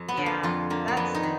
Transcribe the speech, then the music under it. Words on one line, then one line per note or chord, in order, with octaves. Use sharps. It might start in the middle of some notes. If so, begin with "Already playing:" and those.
Yeah. That's e
Already playing: F2
B3
D3
A#3
F2 F4
D3 A#3
A#3
F2 B3
D#4
D#3